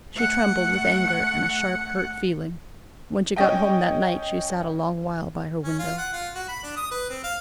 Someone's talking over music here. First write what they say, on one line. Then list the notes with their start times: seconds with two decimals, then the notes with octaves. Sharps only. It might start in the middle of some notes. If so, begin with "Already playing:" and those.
She trembled with anger and a sharp, hurt feeling. When she got home that night she sat a long while by her window.
0.14 A3 F#5
3.36 C#4 D#5 G5
5.63 C#4
5.79 F4
5.98 F#5
6.13 F4
6.35 F#4
6.48 B5
6.63 D4
6.77 D#6
6.91 B4
7.09 C4
7.24 F5